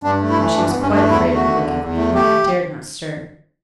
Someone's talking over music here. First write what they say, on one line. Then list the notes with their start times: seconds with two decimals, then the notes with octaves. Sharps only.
But she was quite afraid of the wicked Queen, and dared not stir.
0.03 G2 D4
0.21 A3
0.30 E4
0.39 E3
0.56 G2 D4
0.69 B3
0.74 G2
0.83 C#4
0.92 A3 D4
1.09 E2 E4
1.27 A3
1.35 F#4
1.44 D3
1.61 E2
1.79 E2
1.97 A3
2.14 A3 G4